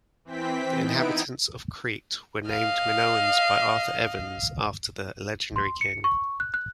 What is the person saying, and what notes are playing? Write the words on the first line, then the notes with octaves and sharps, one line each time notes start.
The inhabitants of Crete were named Minoans by Arthur Evans, after the legendary king.
E3 C4 G5 B6
B3 D#4 E4 D7
D#5 F5
C6
C#7
C#6
F#6
F#6